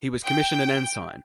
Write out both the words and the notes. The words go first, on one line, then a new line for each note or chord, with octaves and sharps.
He was commissioned an ensign.
G5